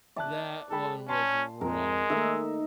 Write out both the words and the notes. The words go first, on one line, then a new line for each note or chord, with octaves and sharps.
That one was rough.
D5 E5 A5 F#6
G#3 A4 G5 B5
C#4 A5 C6
F2 G#3 A#4
D#3 A3 A#3 D#4 D#5 E5